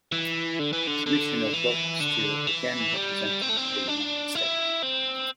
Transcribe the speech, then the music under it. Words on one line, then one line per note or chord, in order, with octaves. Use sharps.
Commissioner Robert Stuart again represented the United States.
E3
D3
E3
D3
D3
E3
D3
E3
G3
C4
A3
C4
D4
E4
C4